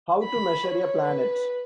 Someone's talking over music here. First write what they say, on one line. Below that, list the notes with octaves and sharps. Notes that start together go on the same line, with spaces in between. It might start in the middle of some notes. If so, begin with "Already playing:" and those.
How to Measure a Planet?
B5
C#5
B4